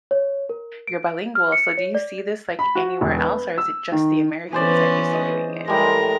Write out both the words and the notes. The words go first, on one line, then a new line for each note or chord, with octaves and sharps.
you're bilingual. So do you see this, like, anywhere else, or is it just the Americans that you see doing it?
C#5
A#4
D7
F6
C#7
C#5
D5
B5
F#4
E1
B4
E6
D#3
E3 B3 C#4 G#4 C5 D5
D#5
A2 G3 G#3 A#4